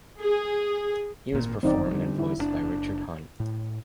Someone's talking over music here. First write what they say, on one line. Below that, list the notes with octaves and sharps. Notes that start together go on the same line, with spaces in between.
He was performed and voiced by Richard Hunt.
G#4
G#1 A#2
G1 F#2 D#3 C4 D#4 D5
D3 G3
E4
F#1 C#3 D4
A2